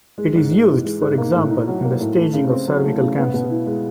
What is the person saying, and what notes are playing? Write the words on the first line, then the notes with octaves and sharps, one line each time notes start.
It is used, for example, in the staging of cervical cancer.
G#3
G#2
G#2
E3
G#3
G#2
A#3
A2
D#4
F#3
A#3
A2
A3
C#3
C4
F#3
A3
C#3
B3
B2
E4
G#3